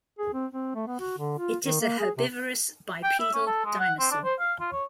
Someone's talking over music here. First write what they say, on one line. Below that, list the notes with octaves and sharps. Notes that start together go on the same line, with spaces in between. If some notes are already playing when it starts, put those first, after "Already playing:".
It is a herbivorous bipedal dinosaur.
G#4
C4
C4
A3
B3
F#4
D3
F4
D#3
A#3
G#4
C3
G5
E5
C#4
A4
G#3
F#5
C4
D4
C5
F5
F4
C#5